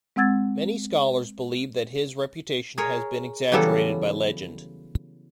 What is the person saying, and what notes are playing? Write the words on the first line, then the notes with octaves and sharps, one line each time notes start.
Many scholars believe that his reputation has been exaggerated by legend.
G#3 C4 F#5 E6 G#6 A6
G#4 A#4 C#5
C#3 E3 F#3 G3 B3 A4